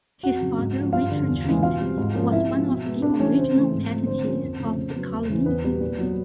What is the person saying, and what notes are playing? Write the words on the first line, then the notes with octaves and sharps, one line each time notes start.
His father Richard Treat was one of the original patentees of the colony.
F2 F#4 F#5
C#3 F#3
G#2
F3 G#3 C#4
G2 F4 F5
D3 F3
E2
C#3 E3 G#3
B2 F4 F5
G3 C4
G#2
F3 A#3 C#4
C3 E4 E5
F3 G#3
B2
G#3 B3
C3 D4 D5
E3 G3 C4 C#4 C#5
C#3 C4 C5
E3 A3
G#2
F3 A3 C4
D3 C4 C5
F3 A#3 C#4
F2
C#3 F3 A3 C#4
C#3
F#3 B3
E2
C#3 E3
E2 B3 B4
B2 G3 B3
A#2
F#3 B3